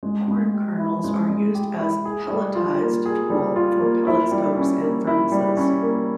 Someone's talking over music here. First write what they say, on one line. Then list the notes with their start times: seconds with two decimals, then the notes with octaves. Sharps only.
Corn kernels are used as pelletized fuel for pellet stoves and furnaces.
0.03 G#3
0.28 G#3
0.53 G4
0.78 E4
1.04 G#3
1.30 G#3
1.54 G4
1.80 E4
2.05 G#4
2.30 G3
2.55 F4
2.80 A#3
3.06 G#4
3.30 G3
3.56 F4
3.81 A#3
4.07 E4
4.31 G3
4.57 C#4
4.82 A#3
5.07 E4
5.32 G3
5.57 C#4
5.82 A#3